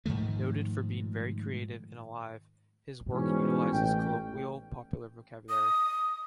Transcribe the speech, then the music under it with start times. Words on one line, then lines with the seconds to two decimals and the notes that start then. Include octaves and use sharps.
Noted for being very creative and alive, his work utilizes colloquial, popular vocabulary.
0.06 G#2 D#3 F3 A3
3.12 G#2 B2 E3 G3 C#4
3.72 A1 G5
5.50 D#6